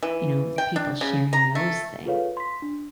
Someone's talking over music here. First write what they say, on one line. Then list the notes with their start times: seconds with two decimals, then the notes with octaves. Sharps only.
you know, with people sharing those things.
0.03 E3
0.58 G5
0.76 D4
1.01 C#3
1.33 A#5
1.55 A3
2.05 F4 G#4 A4 B4 C#5 F5
2.37 C6 B6
2.62 D4